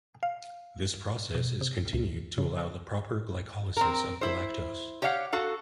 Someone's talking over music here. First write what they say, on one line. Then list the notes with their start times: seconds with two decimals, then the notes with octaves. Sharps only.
This process is continued to allow the proper glycolysis of galactose.
0.23 F5
1.35 B2
1.61 C3
1.93 C#2
2.38 C#3
3.77 C4 A#4
4.21 E4 C5
5.02 G4 C#5 D#5 F5 F#5
5.32 F#4 A4 F5